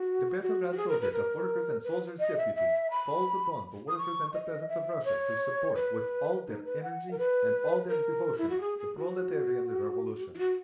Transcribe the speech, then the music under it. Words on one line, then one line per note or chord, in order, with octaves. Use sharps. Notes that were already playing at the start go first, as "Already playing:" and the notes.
The Petrograd Soviet of Workers' and Soldiers' Deputies calls upon the workers and the peasants of Russia to support with all their energy and all their devotion the Proletarian Revolution.
Already playing: F#4
F#4
F#4
G#4
A#4
B4
A#4
B4
D#5
E5
E5
B5
D#6
C#6
D#5
E5
C#5
B4
D#4
B4
F#5
A#4
B4
A#4
E4
F#4
G#4
G#4
F#4
E4
F#4